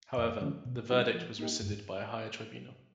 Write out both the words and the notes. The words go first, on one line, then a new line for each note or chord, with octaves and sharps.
However, the verdict was rescinded by a higher tribunal.
F2
D3 F3 A3 C#4
B2
G3 C4 E4 G4
F3
A#3 D#4 G4
G2